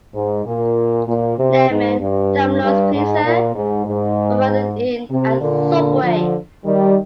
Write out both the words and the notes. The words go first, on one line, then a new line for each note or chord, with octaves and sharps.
Lemon, Domino's Pizza, Ramada Inn and Subway.
G#2
A#2
A#2
C3
G#2
G2
G2
G#2
A#2
G#2
G#2
C3
A#2 D3
D3 F3
D#3 G3